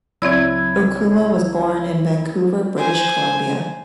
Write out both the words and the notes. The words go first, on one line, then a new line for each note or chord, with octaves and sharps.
Okuma was born in Vancouver, British Columbia.
C#2 F#3 C4 E4 D5 E6 G#6
C5 G#5